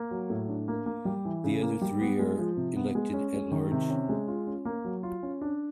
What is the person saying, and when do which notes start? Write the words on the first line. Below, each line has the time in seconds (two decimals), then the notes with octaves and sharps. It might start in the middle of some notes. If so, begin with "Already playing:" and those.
The other three are elected at-large.
Already playing: A#3
0.11 F#3
0.30 A2
0.49 D4
0.68 A#3
0.86 A#3
1.05 G3
1.25 E3
1.44 C#3
1.62 A#3
1.81 G3
2.01 B3
2.19 G#3
2.38 F3
2.57 C3
2.76 B3
2.95 G#3
3.14 C#4
3.34 G#3
3.51 D#3
3.72 C3
3.89 C#4
4.09 G#3
4.28 F4
4.47 C#4
4.65 A#3
4.85 F#3
5.03 F4
5.23 C#4
5.41 D4